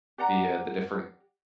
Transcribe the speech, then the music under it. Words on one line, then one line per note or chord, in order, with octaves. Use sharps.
via the different,
G4 D5 F#5 A#5